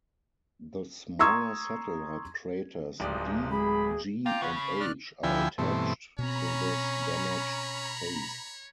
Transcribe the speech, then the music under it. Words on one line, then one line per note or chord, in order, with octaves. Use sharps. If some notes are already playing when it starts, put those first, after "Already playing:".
The smaller satellite craters D, G, and H are attached to this damaged face.
A#5 C6 C#6 D#6 E6 G#6
D1 F3 G#3 D#4 G4 D5
G#3 G#4 B5
F4 G5 A#5 D6
C#3 F4 B4 F#5
B5
D5 F6 F#6
D2 F3 E4 G5 G#5 B5
G2 B2 E3 A3 C4
B2 C4 C#4 C#5 A#5 B5